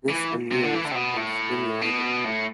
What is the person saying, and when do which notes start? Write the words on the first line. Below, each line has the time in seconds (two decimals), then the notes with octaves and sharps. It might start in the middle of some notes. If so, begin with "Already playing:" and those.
This amused and stimulated her.
0.10 E3
0.52 C3
0.63 D3
0.74 E3
0.84 D3
0.91 C3
0.95 B2
1.17 A2
1.82 B2
2.25 A2